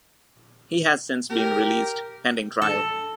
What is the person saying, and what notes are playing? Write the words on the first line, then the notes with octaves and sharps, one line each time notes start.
He has since been released pending trial.
G4 A#4
A4